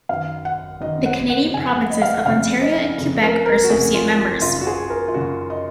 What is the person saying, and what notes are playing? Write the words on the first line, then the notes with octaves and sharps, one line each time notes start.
The Canadian provinces of Ontario and Quebec are associate members.
F#2 D#3 F5
F#5
F#2 D#3 D#5
F#5
F#5
F2 C#3 G#5
F#5
D#5
F5
F#5
F2 C#3 F5
D#5
F2 C#3
A#4
A#4
F#4
F2 C#3 G#4
F4
F#2 C#3 F4
F#4
G#4
A#4
F4
F#2 C#3 F#4
D#5